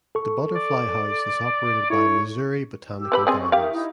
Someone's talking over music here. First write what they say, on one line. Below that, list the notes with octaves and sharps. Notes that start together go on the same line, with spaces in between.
The Butterfly House is operated by Missouri Botanical Gardens.
A4 C#6
D5
E4 A4 C#5
G4 E6
C4 B4 B5
C4 G#4 D5 D#5 G#5 C6
C#6
D#4 G4 A#4 E5 F5
D#4 E4